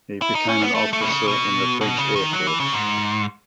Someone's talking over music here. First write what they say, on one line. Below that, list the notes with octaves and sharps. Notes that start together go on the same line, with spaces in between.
He became an officer in the French Air Force.
E4
D#4
C#4
B3
A3
A3
B2
C#3
B2
B2
C#3
D#3
F#3
E3
C#3
G#2